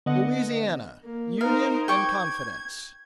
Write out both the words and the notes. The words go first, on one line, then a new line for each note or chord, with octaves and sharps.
Louisiana--Union and Confidence.
D3 B3 D#5 F#5
A#3
D#4 A#4 C5 F5
G5 C#6 D6 G#6